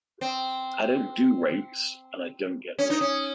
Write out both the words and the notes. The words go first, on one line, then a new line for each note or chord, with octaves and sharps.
I don't do rapes, and I don't get raped.
C4
C#4
D#4
C#4